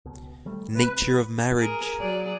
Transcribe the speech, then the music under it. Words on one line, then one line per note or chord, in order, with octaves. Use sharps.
Nature of marriage.
C#2 B2
D#3 G3 A3
C3 B4
G#4 A#4
F#3 G#4 D5